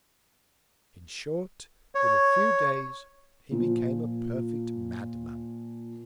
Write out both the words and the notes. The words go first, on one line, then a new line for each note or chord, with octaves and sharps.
In short, in a few Days he became a perfect Mad-man.
C#5
A#2 F3